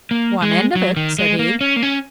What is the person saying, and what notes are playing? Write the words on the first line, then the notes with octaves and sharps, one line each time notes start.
"One end of it," said he.
A#3
G#3
F#3
D#3
G#3
A#3
C#4
A#3
C#4